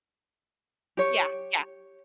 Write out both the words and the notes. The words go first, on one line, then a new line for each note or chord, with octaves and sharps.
Yeah, yeah.
G4 C#5